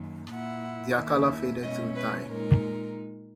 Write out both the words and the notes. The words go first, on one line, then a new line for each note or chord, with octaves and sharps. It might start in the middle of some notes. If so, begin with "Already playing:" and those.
Their color faded through time.
Already playing: F#2 D#3 A#3
A#2 A#3 E4 F#5
D#2 D#3 A#3 E4
B2 G#3 C#4 E4 D#5
B4
A#2 G#3 D#4 A#4